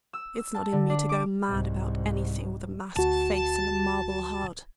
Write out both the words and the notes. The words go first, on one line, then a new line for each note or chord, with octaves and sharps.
It's not in me to go mad about anything with a masked face and a marble heart.
E6
E6
A5
D3
D4
D6
C2 G#2
D2 F#4 A5